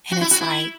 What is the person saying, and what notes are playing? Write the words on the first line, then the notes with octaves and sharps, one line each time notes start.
and it's like
F#4
E4
F#4
E4